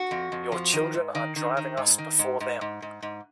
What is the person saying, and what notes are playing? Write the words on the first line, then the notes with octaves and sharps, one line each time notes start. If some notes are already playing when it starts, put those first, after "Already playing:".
Your children are driving us before them.
Already playing: F#4
F2
F2
F3
D#3
G#2
D#3
D#3
D#3
G#2
D#3
G#2
G#2
G#2
G#2
G#2